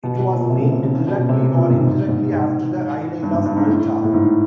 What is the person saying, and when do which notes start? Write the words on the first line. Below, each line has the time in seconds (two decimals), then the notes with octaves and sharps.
It was named directly or indirectly after the island of Malta.
0.03 B2
0.19 B2
0.35 A#2
0.50 C3
0.61 C#3
0.71 C3
0.84 C#3
0.94 C#3
1.07 B2
1.18 B2
1.29 C3
1.41 B2
1.55 A#2
1.70 G#2
1.86 G#2
2.08 G#2
2.32 G#2
3.23 G2
3.33 G#2
3.45 G2
3.56 G#2
3.67 A2
4.04 A2
4.13 G#2